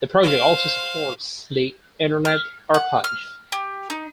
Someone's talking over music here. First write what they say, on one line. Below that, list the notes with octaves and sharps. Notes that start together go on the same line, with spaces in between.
The project also supports the Internet Archive.
C5 F5
F6
F#5
F6
G4
D#4